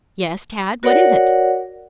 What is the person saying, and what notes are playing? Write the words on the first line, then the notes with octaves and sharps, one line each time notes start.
"Yes, Tad; what is it?"
F#4 A#4 C#5 D5 F#5